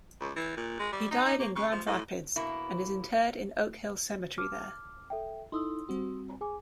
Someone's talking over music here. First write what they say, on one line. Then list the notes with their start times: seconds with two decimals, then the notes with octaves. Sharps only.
He died in Grand Rapids and is interred in Oak Hill Cemetery there.
0.20 C#2
0.36 E3
0.57 A#2
0.79 G#3
0.92 G3
1.11 D#4
1.25 D#4
1.40 A#3
1.55 C#3
1.72 F3
1.87 A2
2.36 B2 A#3 E4
4.38 A5 D6 F6
5.10 A4 E5 G5
5.52 D#4 E4 A4 C6 D#6 E6
5.89 G3 C4 F#4
6.41 G#4 G#5 D6